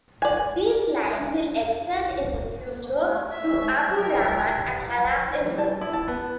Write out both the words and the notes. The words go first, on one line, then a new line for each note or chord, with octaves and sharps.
This line will extend in the future to Abu Ramad and Hala'ib.
D5 G#5
C#5 E5
G3 A#4 E5 A#5
E3
A5
E4
A5
B3